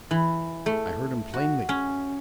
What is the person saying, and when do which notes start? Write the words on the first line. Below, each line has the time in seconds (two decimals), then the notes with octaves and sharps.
I heard him plainly.
0.11 E3
0.66 A3
1.34 F#4
1.69 C#4